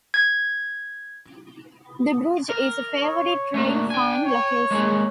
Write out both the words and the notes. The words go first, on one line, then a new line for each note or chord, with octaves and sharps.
The bridge is a favorite railfan location.
G#6
A#4
C#5
A3 A#3 D4 F#4
G5 G#5
C#5
G#3 A#3 G#4